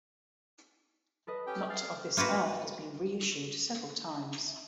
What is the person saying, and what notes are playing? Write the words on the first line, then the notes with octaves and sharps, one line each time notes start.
"Not of This Earth" has been reissued several times.
A4 B4 D#5
C#4 G4 G5
G#4 F5 G5 F6 A6 C7
A#3 F4 F#4 B4